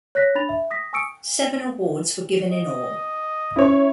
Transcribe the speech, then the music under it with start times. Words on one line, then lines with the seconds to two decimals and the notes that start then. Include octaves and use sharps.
Seven awards were given in all.
0.15 C#5 F#6 A#6 B6
0.35 D4 B5 A6 F7
0.49 E5
0.71 D#6 A#6 B6
0.93 G#5 C#6 D#6 E6 C#7 D7
2.52 D#5
3.56 C#4 E4 C#5